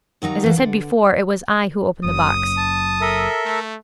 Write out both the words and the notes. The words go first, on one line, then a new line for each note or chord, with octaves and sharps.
As I said before, it was I who opened the box.'
D#2 F#3 D#4 A#5
E3 A#3
D3
F#1 F#2 F#3 D#6
A5
A4 A#4 E5
A3